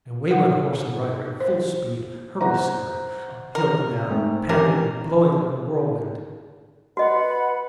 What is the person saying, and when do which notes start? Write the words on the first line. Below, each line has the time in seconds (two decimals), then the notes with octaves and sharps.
And away went horse and rider at full speed,--hurry-scurry,--up hill and down,--panting and blowing like a whirlwind.
0.31 F#5
1.40 C5
2.41 C5 F#5 A#5
3.55 A#4
4.10 G#2 A3 C4
4.49 E3 C#4 G4 A#4
6.97 F#4 B4 D#5 F#5 B5